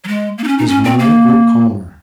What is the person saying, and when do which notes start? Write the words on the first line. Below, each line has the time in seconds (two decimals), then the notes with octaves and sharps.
His mind grew calmer.
0.04 F#3
0.08 G#3
0.38 A#3
0.44 D#4
0.48 C#4
0.59 D#4
0.68 C#4
0.84 C4
0.99 A#3